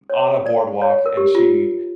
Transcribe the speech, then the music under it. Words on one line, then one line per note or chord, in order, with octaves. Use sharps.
on a boardwalk, and she
C#5
D5
C#5
A#4
G4
F4